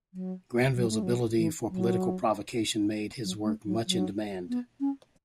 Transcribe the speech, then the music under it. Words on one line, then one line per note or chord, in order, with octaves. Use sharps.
Grandville's ability for political provocation made his work much in demand.
F#3
F#3
A3
F#3
E3
F#3
F#3
A3
F#3
F#3
B3
C#4